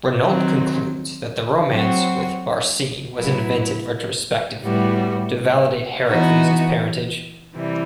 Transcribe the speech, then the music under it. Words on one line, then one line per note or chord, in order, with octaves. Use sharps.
Renault concludes that the romance with Barsine was invented retrospectively to validate Heracles' parentage.
D#3 F#3 C4
F#3 C4 F#4
A2 F#3 B3 E4
A2 G3 B3 F#4
E3 B3 D#4 F#4
C3 E3 G3